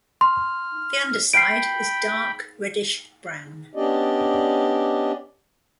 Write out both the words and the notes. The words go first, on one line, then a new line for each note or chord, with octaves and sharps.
The underside is dark reddish brown.
C6 F6
G5 B5 C7 D7
B3 C#4 D4 G4 D5 D#5